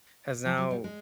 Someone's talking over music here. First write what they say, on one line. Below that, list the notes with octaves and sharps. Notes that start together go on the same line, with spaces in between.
has now
F3
F#3
G3
G#3